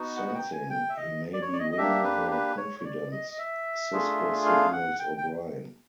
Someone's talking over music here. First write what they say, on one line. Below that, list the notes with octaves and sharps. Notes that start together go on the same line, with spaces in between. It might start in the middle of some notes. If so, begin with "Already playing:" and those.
Sensing he may be winning her confidence, Sisko signals O'Brien.
Already playing: B3 D#4 F#4
F#5
F#5
G5
G#5
G5
E5
D#5
D5
C#5
D5
D#5
D#5
A#3 D4 G4 E5
B4
B4
C#5
C#5
D5
D#5
D#5
E5
A3 D4 F4 G#4
F5
F#5
G5
G5